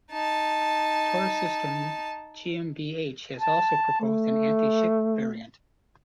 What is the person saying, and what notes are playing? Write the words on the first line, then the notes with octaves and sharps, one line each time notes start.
Taurus Systems GmbH has also proposed an anti-ship variant.
D#4 A5
A5
A3